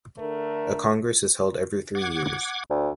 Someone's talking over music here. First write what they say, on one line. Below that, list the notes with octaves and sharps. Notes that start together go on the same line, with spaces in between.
A congress is held every three years.
D3 A3 A#4
F#5 D6 G#6
D2